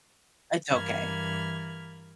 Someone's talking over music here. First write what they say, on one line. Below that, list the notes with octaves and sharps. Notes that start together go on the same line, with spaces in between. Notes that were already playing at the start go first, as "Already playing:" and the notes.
It's okay.
G2 E3 A#3 B5 F6 G#6